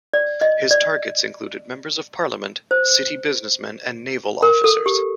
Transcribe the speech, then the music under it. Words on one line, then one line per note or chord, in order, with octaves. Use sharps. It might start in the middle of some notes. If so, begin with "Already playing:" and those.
His targets included members of parliament, city businessmen and naval officers.
D5
D#5
D5
C5
A#4
A4
G4